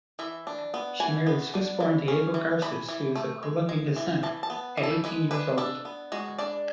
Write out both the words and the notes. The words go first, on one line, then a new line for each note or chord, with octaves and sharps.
She married Swiss-born Diego Garces, who is of Colombian descent, at eighteen years old.
E3 E5
D4
B3
E3 G#5
B3
D4
E3
C#4
E3
E3 B5
E3
A3
G#3
G#3
E3
E3 A5
A5
B3
E3
A4
G#3 B4
D4 B4
D4 A4
B3
G#3 F#4
D4 D5